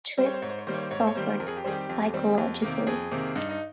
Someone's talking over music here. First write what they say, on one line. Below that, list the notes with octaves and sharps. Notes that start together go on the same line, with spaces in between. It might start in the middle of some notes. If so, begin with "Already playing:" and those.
Tripp suffered psychologically.
G3 C4 C5
C#5
C5
G#2 C#5
C5
C#5
D#3 G3 A#3 C5
C#5
C5
G#2 C#5
C5
C#5
D#3 G3 A#3 C5
C5
F2 A#4
G#4
G4
D#3 G3 C4 G#4
G4
F2
D#3 G3 C4
F2
C3 D#3 A#3
F2 G#4
C3 D#3 A#3
G2 D#4
D#4